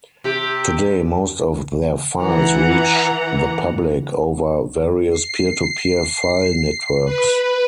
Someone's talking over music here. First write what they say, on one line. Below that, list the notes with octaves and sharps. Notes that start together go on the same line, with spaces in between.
Today most of their files reach the public over various peer-to-peer file networks.
C3 G4
E3 F#5 A#5
C7
B4